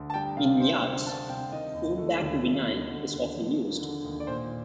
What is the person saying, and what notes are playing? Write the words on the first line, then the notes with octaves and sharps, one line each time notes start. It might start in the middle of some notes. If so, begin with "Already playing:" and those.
In yachts, foam-backed vinyl is often used.
Already playing: D2
A5
G3 G5
C3 F5
D4 C5
C3 C5
G3 A5
C3 G5
D#3 D#5
D#2
A3
D#2
D#3
D#2
D3
D#2
F3
A#3
D3
D#2
D5
A#2 C5